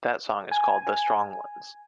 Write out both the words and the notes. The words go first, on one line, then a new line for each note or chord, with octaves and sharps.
That song is called "The Strong Ones".
G#5